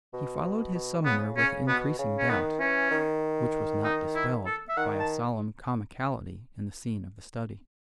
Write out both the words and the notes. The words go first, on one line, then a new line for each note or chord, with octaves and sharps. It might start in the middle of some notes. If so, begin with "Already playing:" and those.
He followed his summoner with increasing doubt, which was not dispelled by a solemn comicality in the scene of the study.
B2
B2
B2
D#3
C#3 B3
C#3 C#4
B2 B3
C#3
C#4
D#3 B3
E3 C#4
D#3
D#4
E4
A4
E5
D#3 F#5
A5